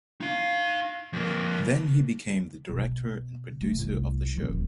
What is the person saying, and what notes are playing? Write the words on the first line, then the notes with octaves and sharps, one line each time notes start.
Then he became the director and producer of the show.
D#4 F5
F2 A#3
B2 B3
C3 A3
G1 C2
D#1 F3